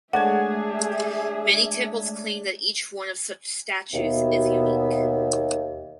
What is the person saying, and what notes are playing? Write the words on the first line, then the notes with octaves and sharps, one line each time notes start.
Many temples claim that each one of such statues is unique.
G#3 A3 D4 G#4 C#5 E5 F#5 G#5
D#2 B2 B3 E5